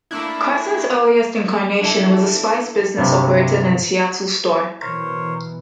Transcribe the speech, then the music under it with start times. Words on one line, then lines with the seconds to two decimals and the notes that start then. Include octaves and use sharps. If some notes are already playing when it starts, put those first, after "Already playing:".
Crescent's earliest incarnation was a spice business operated in a Seattle store.
0.11 A3 A#3 D4 E4
1.81 D4 E4 A4
2.97 G2 C3
4.81 B2 E3 A#4 C5 C#5